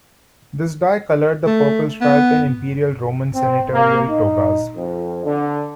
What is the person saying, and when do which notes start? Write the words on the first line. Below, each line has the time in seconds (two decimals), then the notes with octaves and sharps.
This dye colored the purple stripe in Imperial Roman Senatorial togas.
1.47 A3
2.01 B3
3.34 C4
3.73 A#3
4.09 D#4
4.76 F2
5.24 D3